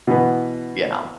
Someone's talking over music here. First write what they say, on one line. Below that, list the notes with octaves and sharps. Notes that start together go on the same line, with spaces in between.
you know?
B2 E3 B3